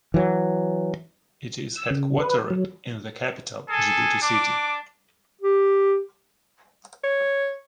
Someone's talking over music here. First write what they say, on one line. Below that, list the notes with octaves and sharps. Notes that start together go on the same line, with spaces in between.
It is headquartered in the capital, Djibouti City.
E3 F#3
E6
C#3
B4
F#3
G#4 A4 G#5
D4 D6
G4
C#5